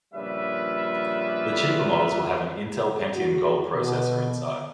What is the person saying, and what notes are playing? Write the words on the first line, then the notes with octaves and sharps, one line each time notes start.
The cheaper models will have an Intel Pentium Gold processor inside.
A#1 C#3 G3 F4 B4 E5
F#4
B2